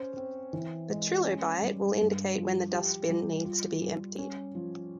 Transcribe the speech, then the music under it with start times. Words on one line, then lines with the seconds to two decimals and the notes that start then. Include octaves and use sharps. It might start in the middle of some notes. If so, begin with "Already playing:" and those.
The Trilobite will indicate when the dustbin needs to be emptied.
Already playing: C#4 C5
0.17 C4
0.53 E3
0.90 G#3
1.25 C#4
1.62 G3
1.99 G2
2.36 F3
2.73 G4
3.09 G3
3.45 F4
3.82 G3
4.18 C#4
4.55 F3